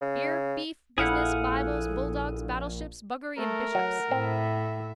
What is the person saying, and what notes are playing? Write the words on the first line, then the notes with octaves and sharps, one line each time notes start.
Beer, beef, business, bibles, bulldogs battleships, buggery and bishops.
C#3
A#1 E4 G#4 A4 F5 F#5
A3 A#4
F#3 F#5
A2 C4 E5